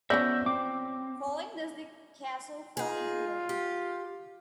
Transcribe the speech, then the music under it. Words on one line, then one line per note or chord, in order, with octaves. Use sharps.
Following this the castle fell into ruin.
F3 B3 C#4 D5 E5 E6 G6 A#6
C4 D6
D#4 F4 G#4
G4